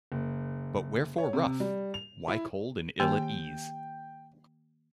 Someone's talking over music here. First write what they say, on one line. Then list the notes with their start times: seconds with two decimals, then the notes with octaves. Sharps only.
But wherefore rough, why cold and ill at ease?
0.12 F#1
1.18 C#5
1.33 C3
1.60 G3
1.94 F7
2.28 E4
3.00 D#3 A#3 G4 G5